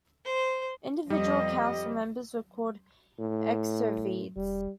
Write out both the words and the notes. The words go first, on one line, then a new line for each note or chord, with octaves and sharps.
Individual council members were called Exovedes.
C5
F2 G3 D#5
A2
E1 G3